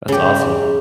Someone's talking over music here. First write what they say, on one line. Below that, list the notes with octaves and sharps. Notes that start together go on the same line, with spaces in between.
That's awesome.
C#3 G4